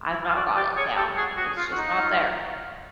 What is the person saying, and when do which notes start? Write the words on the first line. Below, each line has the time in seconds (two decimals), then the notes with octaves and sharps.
I've not got it down, like, it's just not there.
0.09 E4
0.24 F4
0.36 F#4 D5
0.56 G4 D5
0.77 G#4 C#5
0.96 G4 A4
1.16 F#4 G#4
1.37 F#4
1.43 G#4
1.57 F4
1.71 F#4
1.78 D#4
1.98 F4